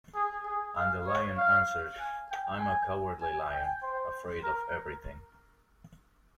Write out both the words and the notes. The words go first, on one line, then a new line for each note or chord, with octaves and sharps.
And the Lion answered, "I am a Cowardly Lion, afraid of everything".
G#4
G#4
F5
C#5
F5
G#5
G5
G#5
G#5
G5
C5
A#4